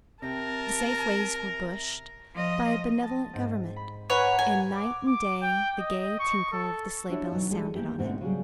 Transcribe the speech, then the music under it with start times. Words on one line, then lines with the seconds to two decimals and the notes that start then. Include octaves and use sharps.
The safe ways were "bushed" by a benevolent Government, and night and day the gay tinkle of the sleigh-bells sounded on it.
0.22 C3 A#4 G5 A5 A#6
2.34 F3 D#5
3.03 A5
3.34 G#2 C4
3.76 B5
4.10 B4 C#5 F#5 G#5 A#5 D6
4.39 A#4 C#5 G#5
4.75 D6
5.07 D6
5.42 G5
5.79 D#5
6.19 C#6
6.52 A4
7.10 D4 E4 F#4 G4 C#5
7.31 B2 E3 F#3 D#4
7.51 G#3 D4 G4 A4
7.74 E3 A#3 B3 G4 A#4
7.99 G#2 B2 D3 A3 C4
8.21 C#3 F#3 G3 G#4